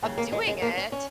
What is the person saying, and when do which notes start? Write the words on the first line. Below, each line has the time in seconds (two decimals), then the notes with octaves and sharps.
of doing it.
0.02 D#2 C#3 C#4
0.18 A#3
0.32 G#3
0.47 G#3
0.62 A#3
0.77 C#4
0.92 C#4